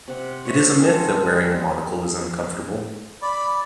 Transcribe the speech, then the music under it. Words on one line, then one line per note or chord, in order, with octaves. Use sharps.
It is a myth that wearing a monocle is uncomfortable.
C3 F#5
C#5 D5 E5
G#3 C4 F#4 A4
G3 G#3
D5 B5